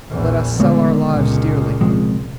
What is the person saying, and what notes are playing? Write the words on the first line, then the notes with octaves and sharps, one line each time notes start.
"Let us sell our lives dearly."
A#1 E2
D3 G#3 A3 B3
C#2 A#2
C3 F3 G#3